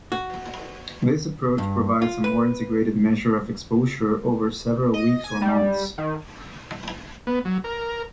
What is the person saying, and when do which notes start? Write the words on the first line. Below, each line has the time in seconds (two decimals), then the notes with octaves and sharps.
This approach provides a more integrated measure of exposure over several weeks or months.
0.12 F#4
1.58 G2
2.02 F4
2.24 B4
4.94 D#5
5.24 G#5
5.42 G3
5.98 D#3
7.27 B3
7.45 F#3
7.64 A#4